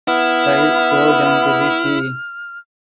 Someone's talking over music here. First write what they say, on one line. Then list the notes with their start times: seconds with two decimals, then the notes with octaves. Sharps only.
Five Go Down to the Sea?
0.08 B3 E4 F6